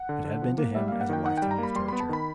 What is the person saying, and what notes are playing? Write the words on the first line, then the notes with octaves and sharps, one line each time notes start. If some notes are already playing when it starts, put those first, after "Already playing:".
It had been to him as a lifetime of torture.
Already playing: F#5
D3
D3
F3
A#3
G3 E5
A#3 F5
F#5
D#3 G5
D#4 F#5
G3 G5
A#5
A#3 B5
G3 C6
B3 B5
A5
D#3 B5